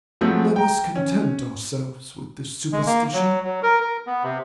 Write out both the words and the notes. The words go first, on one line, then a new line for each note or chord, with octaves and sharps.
Let us content ourselves with this supposition.
F3 F#3 G#3 A3 B3 C4
G5 A#5
C#4
G#3
A#3
F#3
F#3
A#4
A#4
B3
C3